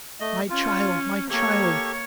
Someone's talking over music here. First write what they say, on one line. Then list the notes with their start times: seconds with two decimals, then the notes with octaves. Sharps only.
'My child, my child!
0.20 A3 D#5
0.50 C#4 F4
1.30 A#3 G4 A4 C#5 C#6